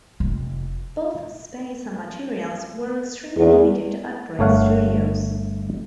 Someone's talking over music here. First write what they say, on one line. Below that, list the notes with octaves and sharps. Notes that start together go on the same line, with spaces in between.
Both space and materials were extremely limited at Bray Studios.
F1
E2
G1 A3 C#5 F5 F#5